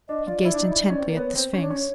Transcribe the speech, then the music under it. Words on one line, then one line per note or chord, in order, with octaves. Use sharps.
He gazed intently at the sphinx.
D4 D#5
F4 D5
E4
D4
D#4
E4
D#4
C#4
C4
A#3
B3 C#5
C4 C5
C#4 C#5
D4
C#4 C#5